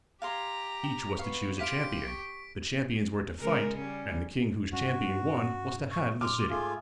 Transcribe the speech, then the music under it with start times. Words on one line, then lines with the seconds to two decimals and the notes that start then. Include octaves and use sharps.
Each was to choose a champion. The champions were to fight, and the king whose champion won was to have the city.
0.22 G4 F5 G#5 A#5 C6
0.83 G5
1.19 B3 F5 C#6
1.59 E4 G4 F5 G5 C6 B6 D7
2.07 C#6
3.40 C#3 G#3 A#4
3.78 G3 C#4
4.73 G2 G3 C#4 F#4
5.91 C#6
6.21 A#2 C6 D6 F6
6.50 G#2 A3 F4 G#4